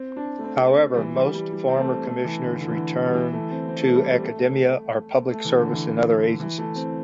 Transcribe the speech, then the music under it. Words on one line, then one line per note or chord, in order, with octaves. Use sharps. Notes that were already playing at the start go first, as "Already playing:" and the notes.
However, most former commissioners return to academia or public service in other agencies.
Already playing: C4
D4
A3
C4
G3
E3
G3
G3
G3
C4
A3
A3
E3
D3
D3
E3
D3
G3
E3
A3
C4
C4
A3
G3
A3
A3
A3
E3
D3
E3
E3
A3
C4